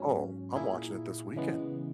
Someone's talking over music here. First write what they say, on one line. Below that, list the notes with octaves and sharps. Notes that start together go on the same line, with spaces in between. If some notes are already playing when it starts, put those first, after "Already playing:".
Oh, I'm watching it this weekend.
Already playing: G#2 F#3 C#4
A#2 A#3 E4 G#4
C#3 E3 G#3 B3